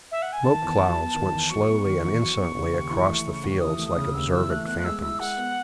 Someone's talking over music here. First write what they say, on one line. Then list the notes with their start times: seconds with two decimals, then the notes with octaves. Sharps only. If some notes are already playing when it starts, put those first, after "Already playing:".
Smoke clouds went slowly and insolently across the fields like observant phantoms.
0.12 E5
0.22 F#5
0.33 G#5
0.44 D#3 A5
0.62 E2
0.80 F#3
0.98 B3
1.15 D#3
1.33 E2
1.50 F#3 C#6
1.68 B3
1.85 D#3
2.03 E2
2.21 F#3
2.38 B3
2.56 C#3
2.74 D#2
2.91 E3
3.08 A3
3.26 C#3
3.44 D#2
3.61 E3 D#6
3.79 A3
3.88 D#6
3.97 C#3
4.14 D#2 E6
4.33 E3 E6
4.50 A3 F#6
4.67 B3 F#6
4.79 F#6
4.85 G#3 E6
5.02 E4 E6
5.20 G#3 F#5
5.37 B3